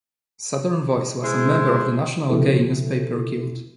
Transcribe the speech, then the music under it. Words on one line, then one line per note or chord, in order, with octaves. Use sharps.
"Southern Voice" was a member of the National Gay Newspaper Guild.
G#3 E4 C5
C#3 F3 B3 E4 G4 A4